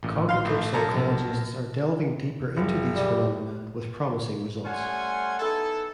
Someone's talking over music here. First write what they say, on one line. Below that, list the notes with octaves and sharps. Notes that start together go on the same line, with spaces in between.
Cognitive psychologists are delving deeper into these phenomena with promising results.
A1 A#2
F5 C6
A#1 A3
F#2 A4 A#4
A#1 B2
F#1
G3
G3 A3 C#4 F#5 G#5 C6
B3 D#4 E4 A4